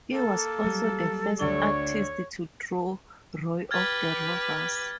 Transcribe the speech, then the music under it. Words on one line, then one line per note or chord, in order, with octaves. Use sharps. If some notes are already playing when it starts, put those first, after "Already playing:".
He was also the first artist to draw "Roy of the Rovers".
A#3 A4
F#3 G3
D2 D4 C#5 G7
G4 B4 F6 G#6 A6